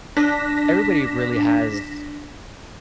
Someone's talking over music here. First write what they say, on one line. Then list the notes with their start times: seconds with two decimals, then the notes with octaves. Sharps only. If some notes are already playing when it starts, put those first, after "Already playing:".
everybody really has
0.17 D4 A#6 B6